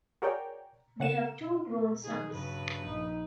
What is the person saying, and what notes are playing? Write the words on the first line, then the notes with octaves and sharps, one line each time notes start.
They have two grown sons.
F#4 G#4 A#4 C#5 D5 G5
C#3 F#5 E7
D#3 G#4
G2 C#3 F#3 B4
A#1 D#4